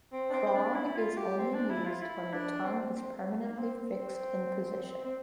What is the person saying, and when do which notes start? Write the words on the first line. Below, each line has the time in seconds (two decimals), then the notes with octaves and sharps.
Prong is only used when the tongue is permanently fixed in position.
0.12 C4
0.30 D4
0.33 C4
0.47 C4
0.54 D4
0.75 E4
0.96 F4
1.17 G4
1.38 C4
1.54 D4
1.70 E4
1.85 F4
2.01 E4
2.33 D4
2.65 C4
2.96 C4
3.43 A#3
3.58 C4
3.74 C4
5.05 C4